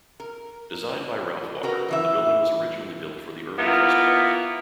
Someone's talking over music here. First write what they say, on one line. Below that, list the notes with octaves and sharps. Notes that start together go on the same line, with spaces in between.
Designed by Ralph Walker, the building was originally built for the Irving Trust Company.
A#4
F#4 A#4 B4
F#2 E3 E5
A#3 B3 E4 F4